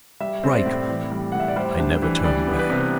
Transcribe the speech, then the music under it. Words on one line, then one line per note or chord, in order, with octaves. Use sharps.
Strike!' I never turned back.
G3 E5
C4
D5
A2
E3
G3
A2 F#5
E5
D5
G3 C5
D4
E3
G3 D5
B3
B4
C3